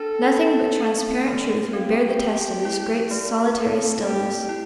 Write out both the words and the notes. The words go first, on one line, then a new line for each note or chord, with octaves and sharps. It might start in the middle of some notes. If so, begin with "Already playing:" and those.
Nothing but transparent truth would bear the test of this great, solitary stillness.
Already playing: D4 A4
C4
A3
C4 G4
E4
A3
C4 A4
G4
E4